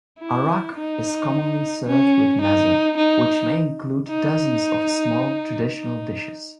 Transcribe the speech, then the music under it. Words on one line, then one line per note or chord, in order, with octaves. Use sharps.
Arak is commonly served with mezza, which may include dozens of small traditional dishes.
E4
D#4
C#4
D#4
D#4
D#4
D#4